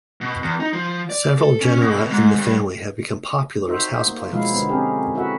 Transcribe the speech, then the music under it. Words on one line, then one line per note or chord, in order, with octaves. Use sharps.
Several genera in the family have become popular as houseplants.
B2
E2
D#4
F3
D5
A4
C#4
B2
G#2
G2
D#4 F#4 C5 E5
A#3
B2 F3 F#3 G#3 E4 F5
D3 B3
C4 C#4 G4 G#4 A#4
E4 F#4 A4 A#4 E5 F#5